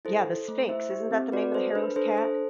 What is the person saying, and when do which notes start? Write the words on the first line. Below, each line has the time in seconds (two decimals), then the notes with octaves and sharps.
Yeah, the Sphinx, isn't that the name of the hairless cat?
0.05 E4 A4 C5
0.26 A4
0.48 A3
0.69 E4 C5 E5
0.90 G4
1.11 C4
1.32 F#4 B4 D5
1.54 A4 C5
1.75 D4 B4
1.96 D4 A4 C5
2.17 A4 C5